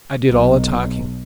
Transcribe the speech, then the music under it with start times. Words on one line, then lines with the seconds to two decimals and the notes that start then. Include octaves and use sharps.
I did all the talking.
0.29 B1